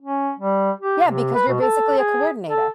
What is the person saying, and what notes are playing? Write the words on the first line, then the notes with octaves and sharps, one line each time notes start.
Yeah, because you're basically a coordinator.
C#4
G3
G4
C3
B4
B2
A4
G#4
A4